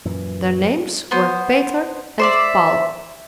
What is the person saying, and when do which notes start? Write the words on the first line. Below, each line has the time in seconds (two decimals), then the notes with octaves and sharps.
Their names were Peter and Paul.
0.05 F#2 A#2 E3
1.11 B3 C5
2.19 C5 D5 E5